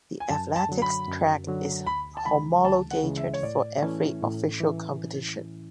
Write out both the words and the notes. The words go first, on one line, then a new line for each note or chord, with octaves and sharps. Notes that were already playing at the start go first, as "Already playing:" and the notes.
The athletics track is homologated for every official competition.
G#5
F#2 A5
A5
D3 F#3
B5
F#2
D3 F#3
D2 B5
A5
C#3 E3 G#3 B5
D2 A5
F#5
C#3 E3 G#3
E5
C#5
A2 D5
E3 A3 C#4 E4
A2
E3